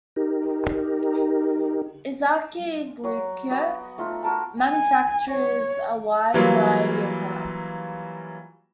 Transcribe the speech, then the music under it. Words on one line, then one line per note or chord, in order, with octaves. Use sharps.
Ezaki Glico manufactures a wide variety of products.
D#4 G4 A#4
F#3 F#4
B3 F#4 D#5
A3 D#4 F4
F#4 A#4 A5
G#5
C#5
E3 F#3 G3 A#3 F4